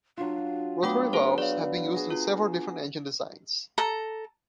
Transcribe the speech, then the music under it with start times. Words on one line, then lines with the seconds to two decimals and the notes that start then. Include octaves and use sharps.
Rotary valves have been used in several different engine designs.
0.18 F#3 D4 F4
0.83 F#3 A3 B3 D4 G5 D6
1.13 G#4 C#5
1.38 D5 F5
1.94 F#4 G#4
2.10 F4
3.78 A4 A#5